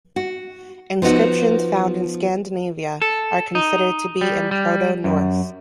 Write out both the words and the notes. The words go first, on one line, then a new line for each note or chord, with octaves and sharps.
Inscriptions found in Scandinavia are considered to be in Proto-Norse.
F#4
F3 B3 D#4 F#4
A4
D#4
G3
G3
F#2